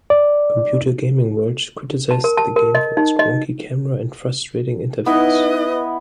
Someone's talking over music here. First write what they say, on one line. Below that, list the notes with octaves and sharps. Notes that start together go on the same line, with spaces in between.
"Computer Gaming World" criticized the game for it's wonky camera and frustrating interface.
D5
A5
A#4
A5
A#4
D#5
D#4
D#5
B3 D#4 E4 B4 D#5